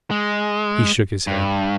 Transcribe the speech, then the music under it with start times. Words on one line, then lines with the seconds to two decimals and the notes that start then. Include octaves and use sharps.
He shook his head.
0.11 G#3
1.27 G2